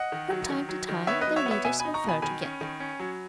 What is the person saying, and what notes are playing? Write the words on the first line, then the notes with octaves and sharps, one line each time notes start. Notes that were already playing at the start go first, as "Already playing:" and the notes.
From time to time their leaders conferred together.
Already playing: D#5 F#5
D#3
F#3
D#3
F#3
D#3
B3 C#5 E5
B4 D#5
F#3
C#5 E5
B3
C#5 E5
B2 E5 G#5
G#5 B5
D#4
A#5 C#6
B2 G#5 B5
D#3 G#5 B5
C#4
D#3
C#4
F#3